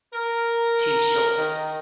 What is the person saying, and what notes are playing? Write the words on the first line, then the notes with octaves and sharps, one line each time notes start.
too sure,
A#4
D#3